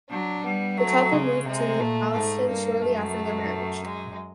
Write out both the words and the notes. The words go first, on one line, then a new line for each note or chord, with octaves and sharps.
The couple moved to Allston shortly after their marriage.
F#3 D4
G3 B3
F#3 A3
C#3 G#3
C3 G#3
A#2 A3
G#2 A3
G2 A#3
F#2 A3
G#3